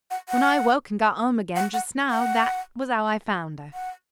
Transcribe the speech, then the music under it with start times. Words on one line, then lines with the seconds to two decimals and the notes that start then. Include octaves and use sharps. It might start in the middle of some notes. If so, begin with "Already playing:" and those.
When I woke, and got home again just now, that was how I found her.
0.11 F#5
0.29 F#5
1.56 F#5
1.74 F#5
2.11 F#5
3.74 F#5